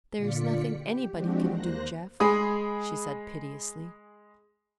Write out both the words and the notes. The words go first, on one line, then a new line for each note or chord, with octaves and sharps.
"There is nothing anybody can do, Jeff," she said piteously.
A#2 D3 F4 D5 B6 C#7
G4
F3 G#3 C4 D4 F#4 G4
D#2 A#3 C5 F#6 A#6
G#3 G#4 B5 D#6